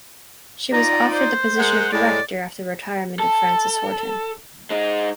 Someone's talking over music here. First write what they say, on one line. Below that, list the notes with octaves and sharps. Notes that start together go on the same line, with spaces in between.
She was offered the position of director after the retirement of Frances Horton.
D#4 F4 D5 A#5
C5
G#3 A#4 F#5
A2 G#3 D5
A4
G#3 D#4